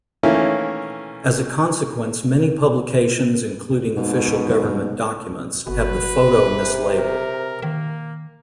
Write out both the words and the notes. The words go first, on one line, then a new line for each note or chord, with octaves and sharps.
As a consequence many publications including official government documents have the photo mislabeled.
D#3 E3 A3 A#3 C#4 E4
G#2 B2
G1 F#4 B4
C3
A#4
D#3 A#3